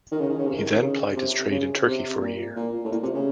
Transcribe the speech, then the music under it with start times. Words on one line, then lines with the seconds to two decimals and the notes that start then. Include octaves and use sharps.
He then plied his trade in Turkey for a year.
0.12 D#3
0.20 C#3
0.29 D#3
0.38 C#3
0.46 C3
0.58 D#3
0.70 D#3
0.82 C#3
1.16 C3
1.51 C#3
1.86 C3
2.21 A#2
2.56 A#2
2.84 A2
2.91 A#2
3.03 C3
3.14 C#3